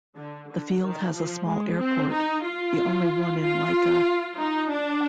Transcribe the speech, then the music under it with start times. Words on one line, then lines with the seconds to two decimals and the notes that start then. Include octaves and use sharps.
The field has a small airport, the only one in Lika.
0.17 D3
0.50 D3
0.82 D#3
1.15 F3
1.47 G#3
1.79 C4
2.11 D#4
2.44 F4
3.41 F4
4.37 D#4
4.71 D4